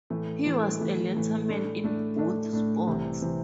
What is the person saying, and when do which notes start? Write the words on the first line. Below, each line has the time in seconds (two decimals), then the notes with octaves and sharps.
He was a letterman in both sports.
0.10 A2 E3 A3
0.45 A2 E3 A3
0.80 A2 E3 A3
1.14 A2 E3 A3
1.49 A2 A3 D4
1.83 A2 A3 D4
2.18 A2 A3 D4
2.53 A2 A3 D4
2.87 C2 C3 E3 C4
3.22 C3 E3 C4